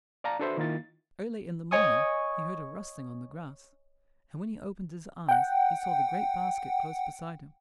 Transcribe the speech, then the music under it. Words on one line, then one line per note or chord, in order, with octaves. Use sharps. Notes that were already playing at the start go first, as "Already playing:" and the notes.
Early in the morning he heard a rustling on the grass, and when he opened his eyes he saw the great basket close beside him.
D5 F5 A5 A#5
D4 F#4 A4 B4 C5 E5
D#3 A#3 E4 F4 A6
C#5 D#5 G#5 C#6 D#6
F#5 G5